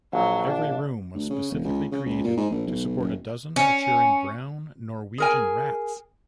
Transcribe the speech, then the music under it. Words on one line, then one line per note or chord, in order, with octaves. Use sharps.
Every room was specifically created to support a dozen matured brown Norwegian rats.
A#1 F#3
D4
D2
C#3
E1
C#2
C#3
C#2
A#2
G#2
A#1
B1
F#1
C#4
G#4 A#4 G#5